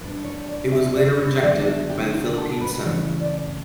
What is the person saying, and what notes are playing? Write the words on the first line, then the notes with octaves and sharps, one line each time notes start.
It was later rejected by the Philippine Senate.
B2 G3 D4 B4
C#5
D5
E5
D5
C#5
D3 F#3 B3 D4 D5
E5
G4
G4
A4
B4
C#3 E3 A3 C#5
D5